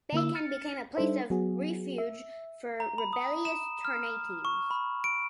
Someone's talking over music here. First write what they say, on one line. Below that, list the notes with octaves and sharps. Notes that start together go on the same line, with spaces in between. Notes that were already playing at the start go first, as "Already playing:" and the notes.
Bacan became a place of refuge for rebellious Ternateans.
D3 A#3 E4 E6
F6 A6 C#7
G3 D4 D#4 A4 C5 E5
F#3 B3 F#4 G#4
E5
A#5
B5
D#6
E7
F6
C#6
B5
D7